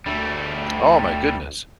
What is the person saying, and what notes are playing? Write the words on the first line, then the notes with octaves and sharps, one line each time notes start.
Oh my goodness.
D2 G3 A3